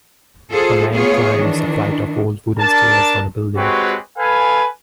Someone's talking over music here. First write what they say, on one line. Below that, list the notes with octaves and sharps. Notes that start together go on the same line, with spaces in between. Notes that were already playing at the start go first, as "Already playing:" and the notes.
A man climbs a flight of old wooden stairs on a building.
F4 G#4 A4 C5
A3 B3 F4 G#4 C#5
D#3 E3 D4
D4 A#4 A5
G#3 C4 F#4 G4 B4 C#5
A4 B4 F5 G#5